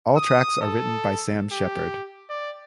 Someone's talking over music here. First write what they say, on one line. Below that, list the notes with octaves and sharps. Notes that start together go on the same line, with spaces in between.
All tracks are written by Sam Shepherd.
D#6
A4
G4
D5